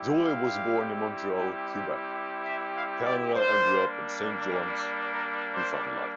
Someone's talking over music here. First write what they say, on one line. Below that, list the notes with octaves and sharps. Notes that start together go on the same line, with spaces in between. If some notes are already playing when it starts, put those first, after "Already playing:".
Joy was born in Montreal, Quebec, Canada and grew up in Saint John's, Newfoundland.
Already playing: G3 C4 E4 G4
F5
E5
F5
D5
G3 A#3 D4 C5
A#4
C5